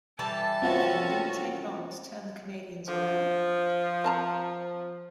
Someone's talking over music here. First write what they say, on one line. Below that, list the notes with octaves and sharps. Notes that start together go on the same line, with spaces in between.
Irvin didn't take long to turn the Canadiens around.
E3 G3 A4 A5
C4 C#4 F4 F#4
D3 F3
C4 A5 A#5